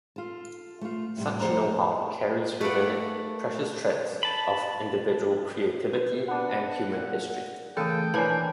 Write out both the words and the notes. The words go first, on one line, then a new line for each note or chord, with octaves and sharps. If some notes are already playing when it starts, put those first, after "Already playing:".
Such know-how carries within it precious threads of individual creativity and human history.
F4 A4
A3 F4
A2 C3 G3
F2 F3 A4 C5 A#5
A3 A#3 B4 D5 F#5
A5 B5
B4
B3 D4 F#5
A#2
C#3 E3 A3 G#4 A4 G5
E3 F3 A#3 D4 C#5 G#5 B5